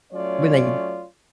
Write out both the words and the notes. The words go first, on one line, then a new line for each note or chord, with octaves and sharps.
when they
F#3 A3 C#4 F4 C#5 D5